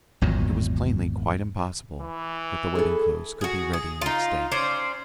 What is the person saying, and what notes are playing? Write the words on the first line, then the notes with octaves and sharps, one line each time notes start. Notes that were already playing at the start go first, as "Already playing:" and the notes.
It was plainly quite impossible that the wedding clothes could be ready next day.
G#1 E2 A#2 F#3
E3
G#4 A4
F#4 G#4
G#4
D#4 F4
C#4 C5 D5